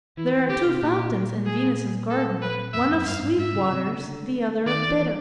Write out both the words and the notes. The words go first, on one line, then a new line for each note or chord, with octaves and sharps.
There are two fountains in Venus's garden, one of sweet waters, the other of bitter.
E3 E4
E3
D3 G4
C3
A#2 G4
G#4
A4
B4
F2 E5
F#2
G2 F5
G#2
G#2 E5
C#3
C3
C#3
D3
D#3 D5
E3